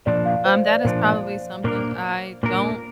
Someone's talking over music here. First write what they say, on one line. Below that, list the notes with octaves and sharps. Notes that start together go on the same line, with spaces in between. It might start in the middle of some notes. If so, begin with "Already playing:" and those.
Um, that is probably something I don't
A#2 F3 D4 D5
F5
C5
D5
A#2 F3 D4
A#2 A#3 D4 A#4
A#2 A#3 D4 A#4